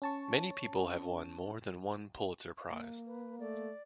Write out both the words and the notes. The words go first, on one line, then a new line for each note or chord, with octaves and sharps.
Many people have won more than one Pulitzer Prize.
C#4 A5 C#6
A#3
B4
A3 D5